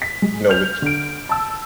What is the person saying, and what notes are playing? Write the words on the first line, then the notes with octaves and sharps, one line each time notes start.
you know, with,
B6
G#3
F6 G6 F7
D3 D7
A5 E6